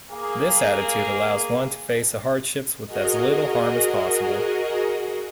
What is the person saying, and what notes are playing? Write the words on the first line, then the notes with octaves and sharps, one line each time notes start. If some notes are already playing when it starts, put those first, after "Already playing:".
This attitude allows one to face the hardships with as little harm as possible.
A#3 G#4
F#4 G#4 A#4 D#5